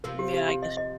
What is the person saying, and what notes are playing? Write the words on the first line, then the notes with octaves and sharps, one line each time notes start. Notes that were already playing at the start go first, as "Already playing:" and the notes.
Yeah, I guess.
C3 F3 A#4
G4
G4
G4
D#5
D#5